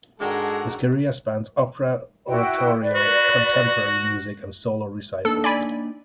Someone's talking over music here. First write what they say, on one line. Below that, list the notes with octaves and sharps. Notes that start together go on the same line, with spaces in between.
His career spans opera, oratorio, contemporary music and solo recitals.
G#2 G#3 D4 F#4 A4 A#4 G5
E4 F#4 G5
B4 D5
F#4
A#3 D4 D#4 A4
D5 G#5 B5